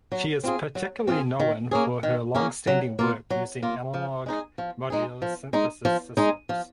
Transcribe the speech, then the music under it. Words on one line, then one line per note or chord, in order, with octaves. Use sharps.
She is particularly known for her longstanding work using analog modular synthesis systems.
F#3
C4 F4 G#4
F#3
C4 F4 G#4
D#3
A#3 C#4 G#4
D#3
A#3 C#4 G#4
F#3
A#3 F4
F#3
A#3 F4
F3
G#3 D#4 G#4
F3
G#3 D#4 G#4
F3
G#3 D#4 G#4
F3
G#3 D#4 G#4
F3